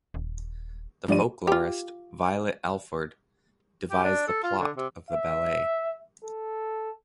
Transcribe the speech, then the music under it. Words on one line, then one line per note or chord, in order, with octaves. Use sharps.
The folklorist Violet Alford devised the plot of the ballet.
D#1
G2 F3 D5 D#7
F4 G4
G4
D4
A4
F4
D3
C3
E5
A4